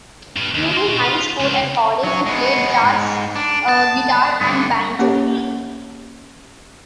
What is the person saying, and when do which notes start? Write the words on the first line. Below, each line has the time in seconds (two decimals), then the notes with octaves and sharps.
During high school and college, he played jazz guitar and banjo.
0.37 G2
0.55 D#2
0.72 A#3 C6
0.87 F#4 D#5
1.05 F4
1.40 C#2
2.04 F#3 C#4
2.26 G#3 B3
2.82 G#2
3.35 D4
3.69 A5
4.41 G2 D3
4.99 A#3 C#4 G4 C#5